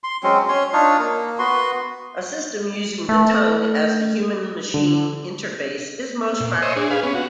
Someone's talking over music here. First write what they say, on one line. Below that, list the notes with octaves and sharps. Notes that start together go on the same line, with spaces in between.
A system using the tongue as the human-machine interface is most practical.
C6
F#3 G#3 C4 C#4
C#4 C#5 C6
D4 D#4 F4 C#5
A#3
B3 F#4 C6
A3
D3
A#2
C5 C#5 D#5 E5
D4 G#4
G#4 B4 F5
B3 C#4
F#4